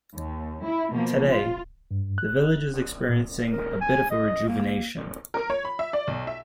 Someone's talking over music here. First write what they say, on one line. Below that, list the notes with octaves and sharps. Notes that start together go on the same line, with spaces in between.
Today, the village is experiencing a bit of a rejuvenation.
D#2
E4
B2 F3 A#3
F4
G2
F#6
A#2
A#4
G#5
D#5
A#3
A#4
C#5
B5
E5
D5
B1
E5